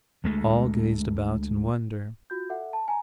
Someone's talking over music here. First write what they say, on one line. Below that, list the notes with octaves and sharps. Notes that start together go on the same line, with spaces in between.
All gazed about in wonder.
D2 G#3 A3
F4 F#4 G6
A4 E5 F#5
A5
G#5 A#5